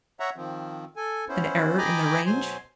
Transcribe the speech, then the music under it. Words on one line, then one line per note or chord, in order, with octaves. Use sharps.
An error in the range?
C#5 E5 F#5 A#5
D#3 F3 C4
A4 G#5
B3 C#4 E4 C5
D#5 G5 G#5 A#5 B5 D6
B2 F#3 C5 G#5 C6